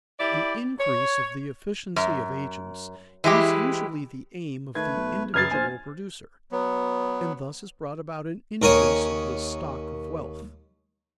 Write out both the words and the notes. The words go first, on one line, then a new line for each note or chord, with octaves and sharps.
The increase of the efficiency of agents is usually the aim of the individual producer, and thus is brought about an increase of the stock of wealth.
E4 G4 D5
C#5
F#2
E3 G#3 E4 G4
D#3 A3 B4 G#6
B1
F#2 C#3 B4 D#6 F6 G#6 A6 C7
A#1 C5 G#5
F#3 B3
D#2 A#4 C#5 G#5 D#6